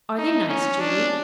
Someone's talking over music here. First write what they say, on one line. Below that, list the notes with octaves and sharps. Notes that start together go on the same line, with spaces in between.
"Are they nice, Julie?"
D#4
C#4
D4